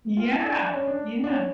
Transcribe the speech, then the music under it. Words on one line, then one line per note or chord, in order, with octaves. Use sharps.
Yeah. Yeah.
F4
E4
D4
C#4
D4
D4
C#4